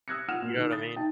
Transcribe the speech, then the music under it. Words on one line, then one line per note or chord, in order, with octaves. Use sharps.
You know what I mean?
D#6 E6 F#6 G#6 A#6 C#7
F4 F#5 F6 E7
A#2
D3 D#4
D#6 A6
D#4 G5 A5